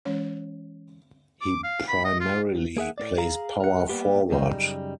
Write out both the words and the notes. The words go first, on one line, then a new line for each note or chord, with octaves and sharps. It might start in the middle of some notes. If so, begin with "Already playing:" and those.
He primarily plays power forward.
E3 G#3 C#4 C#5
D6
F5
B5
D#5
F4
A#3 G#4 E5 F#5
A2 C4 D5
G#4 F5 A#5
A#4 F#5
G3 A#3 B3 G4
F#2 C#3 G3 D#4